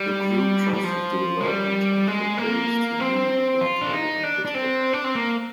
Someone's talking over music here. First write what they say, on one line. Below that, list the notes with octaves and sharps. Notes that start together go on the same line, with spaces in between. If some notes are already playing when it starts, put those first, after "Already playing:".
The group transferred the development and codebase to a new repository on GitHub.
Already playing: G3
G3
F3
G#3
G3
G#3
A#3
C4
F4
D4
D#4
D4
D4
C4
D4
C4
A#3